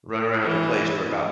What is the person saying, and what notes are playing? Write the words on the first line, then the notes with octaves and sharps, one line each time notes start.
run around the place for about
E3